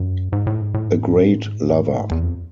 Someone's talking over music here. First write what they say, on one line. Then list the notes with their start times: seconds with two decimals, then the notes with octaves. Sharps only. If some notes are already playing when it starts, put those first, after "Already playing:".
A great lover.
Already playing: F#2
0.32 G#2
0.47 A2
0.61 G#2
0.74 A2
0.88 G#2
1.02 A2
1.15 G#2
1.30 A2
1.44 G#2
1.57 A2
1.71 G#2
1.85 A2
1.99 G#2
2.11 E2
2.23 F2